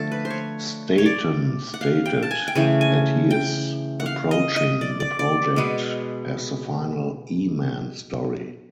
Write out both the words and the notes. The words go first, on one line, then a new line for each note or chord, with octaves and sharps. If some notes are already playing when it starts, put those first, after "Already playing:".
Staton stated that he is approaching the project as the final E-Man story.
Already playing: D3 F3 A3 A4
B4
C5
C#5
C#5
D5
F#5
F5
G5
A5
G#5
G5
C#3 E3 A3 G#5
G#5
G5
F#5
F5
D#5
D#5
D5
D5
D5
B2 G#3 B3